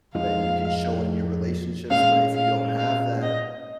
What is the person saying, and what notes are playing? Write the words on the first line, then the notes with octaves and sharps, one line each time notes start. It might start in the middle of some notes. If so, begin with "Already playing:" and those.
that you can show in your relationships, but if you don't have that,
F2 F3 G#3 D#4 F5
A#2 G#3 C#4 F5
F5
F5
D#5